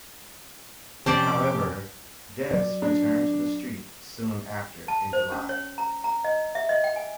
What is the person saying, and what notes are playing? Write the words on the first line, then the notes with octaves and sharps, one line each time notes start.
However, Des returned to the Street soon after in July.
F2 C3 C#4 G4 C5 D5 A5 D6
F#3 D5
D4
A5
C5
C#4
C#5
A#5
A#5
D#5
E5
D#5
G5
G#5